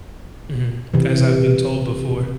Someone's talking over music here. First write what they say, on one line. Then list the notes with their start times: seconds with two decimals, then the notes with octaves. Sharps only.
Mhm. As I've been told before.
0.94 C3 E3